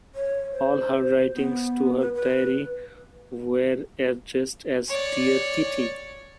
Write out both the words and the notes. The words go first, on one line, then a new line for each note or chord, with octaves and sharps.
All her writings to her diary were addressed as 'Dear Kitty'.
C#5
C5
B3
B4
B4
C#5 D5